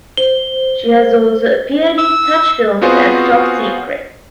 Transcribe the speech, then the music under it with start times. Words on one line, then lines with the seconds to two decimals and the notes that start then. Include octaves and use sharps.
She has also appeared in such films as Top Secret!
0.17 C5 G7
1.98 E6
2.81 B3 C4 F4 F#4 G#4 C5